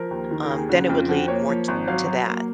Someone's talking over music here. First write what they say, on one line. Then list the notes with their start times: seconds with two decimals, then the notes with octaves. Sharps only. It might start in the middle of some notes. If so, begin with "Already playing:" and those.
um, then it would lead more t to that.
Already playing: F3 A#4
0.11 D#2
0.31 D#3
0.43 A#4
0.50 D#2
0.56 G#4
0.69 C#3 F#4
0.89 F2 F4
1.09 F3 F#4
1.28 A#3 C#5
1.49 F3
1.68 G#1
1.87 F#3 F5
2.06 F#3
2.27 A#3